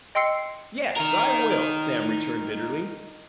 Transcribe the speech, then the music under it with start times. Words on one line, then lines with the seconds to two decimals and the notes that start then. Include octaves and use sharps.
"YES, I will!" Sam returned bitterly.
0.15 D#5 G5 C6 E6 C7 C#7
0.97 D#4 A#4